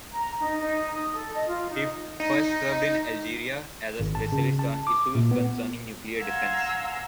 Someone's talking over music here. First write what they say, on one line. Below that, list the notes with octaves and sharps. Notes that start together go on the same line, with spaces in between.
He first served in Algeria as a specialist on issues concerning nuclear defense.
A#5
D#4
D#4
D#6
A4
D#5
F4
D#4
D#4
G#1
A5
C#3
A5
D6
A#2
B3
F5 F#5 G#5 A#5 C6 E6